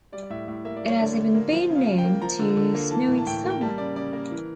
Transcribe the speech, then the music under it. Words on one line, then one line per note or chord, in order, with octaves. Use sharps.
It has even been known to snow in Summer.
G3 D5
D5
A2 E5
A2 E5
A#3 E5
D5
G3 C#5
D3 D5
D3
A#3
F3 F5
C#3
F5
C#3
G5
A#3
F3 A#5
D3
D3
A#3
E3 A5
A2
A5
A2 G5
A#3
G5
G3 A5
C#3 D5
C#3 D5
A#3 A#4
E3